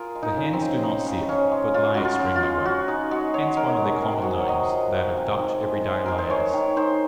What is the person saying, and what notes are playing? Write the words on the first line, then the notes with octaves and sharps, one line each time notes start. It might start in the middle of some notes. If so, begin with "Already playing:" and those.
The hens do not sit, but lay extremely well; hence one of their common names, that of Dutch every-day layers.
Already playing: F4 G#4 A#4
G#3
D#4
C#3
C4
G#3
G#3 D#4
C#3
C#3 C#4
G#3
C#3 F4
C#3 F#4
F4
C#3
F4
G#3
G#3 F#4
G#3 D#4
G#3 F#4
G#3 C#5
G#3 A#4
G#3
C3 A#4
G#4
G#3 F#4
G#4
C#5
C3 D#5
F3
G#3
C3
D#3
G#3
G#3
G#3 A#4
C5
G#3 C#5
D#3
D#3 C5